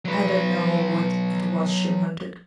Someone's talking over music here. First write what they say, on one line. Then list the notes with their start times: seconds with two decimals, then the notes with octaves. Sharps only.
I don't know what it was she wanted!
0.05 F#3 B4